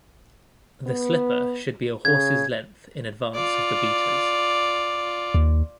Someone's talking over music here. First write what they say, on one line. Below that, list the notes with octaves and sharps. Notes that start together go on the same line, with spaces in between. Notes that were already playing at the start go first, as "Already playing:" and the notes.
The slipper should be a horse's length in advance of the beaters.
B3
C#3 G#6
F4 D5
D#2